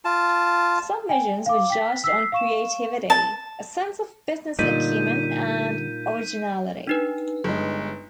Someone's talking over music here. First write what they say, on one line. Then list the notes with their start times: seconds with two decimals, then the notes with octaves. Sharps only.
Submissions were judged on creativity, a sense of business acumen and originality.
0.05 F4 A5
1.09 G5 G#5
1.46 F5 D6
1.70 G5 B6
2.04 E6 B6 C7
2.32 F5 C#6 E7
3.10 A5
4.59 A#2 D3 G3 D#4 G6 B6 D#7
6.87 D4 D#4 B4
7.44 G1 G#3